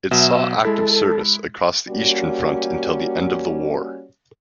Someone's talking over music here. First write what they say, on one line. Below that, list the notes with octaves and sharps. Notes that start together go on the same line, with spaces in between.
It saw active service across the Eastern Front until the end of the war.
B2 F#3 E5
G#3 E4 A4
G3 A#3 C#4 F#4